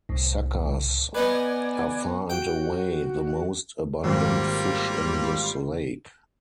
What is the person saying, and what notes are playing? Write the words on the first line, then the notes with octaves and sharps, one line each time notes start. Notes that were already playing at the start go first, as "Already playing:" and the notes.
Suckers are far and away the most abundant fish in this lake.
C2 A2
B3 D#4 B4 D5 G#5
F#4 G5
G#1 G3 A#3 F4